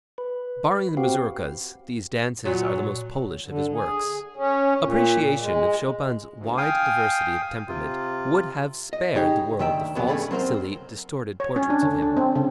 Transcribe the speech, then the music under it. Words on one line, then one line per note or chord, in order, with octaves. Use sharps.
Barring the mazurkas, these dances are the most Polish of his works. Appreciation of Chopin's wide diversity of temperament would have sparedthe world the false, silly, distorted portraits of him.
B4
C4 F#4 G4 F5
A#2 F#3
D3
G#4
C#4
A#2
G#3
D2
F5 G5 G#5 D#6
C3 F4
D#5
C#3 D#4 G4 G#4
D2 D#3 E5 G5
F2 C3 E3 F#3 B3
G2 A3 C#4 G#4 D5 B5
F#3 C4 A#4 C5
C#5
C#4
D4
D3
D4
C4
C#3